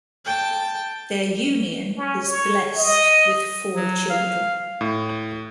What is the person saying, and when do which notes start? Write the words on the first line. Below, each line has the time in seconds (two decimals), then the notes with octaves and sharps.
Their union is blessed with four children.
0.25 G5 A5
1.98 C#4
2.27 C#5
2.77 D#5
3.76 F#3
4.10 F5
4.81 A2